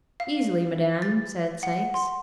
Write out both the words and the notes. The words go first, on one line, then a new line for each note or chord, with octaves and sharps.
"Easily, madam," said Sikes.
F5
A6
F#5
C6